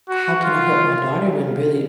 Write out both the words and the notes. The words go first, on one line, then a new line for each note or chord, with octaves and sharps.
how can I help my daughter when really
F#4
F4